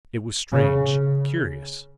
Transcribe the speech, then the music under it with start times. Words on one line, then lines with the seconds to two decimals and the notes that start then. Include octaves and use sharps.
It was strange, curious!
0.52 C#3